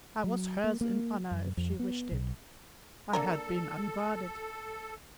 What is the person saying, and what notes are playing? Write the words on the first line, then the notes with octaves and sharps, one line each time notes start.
I was hers in honour if she wished it. I had been unguarded.
F#3
A#3
A#3
F#2
F2
B3
B1
A#3 D4 A4 A#4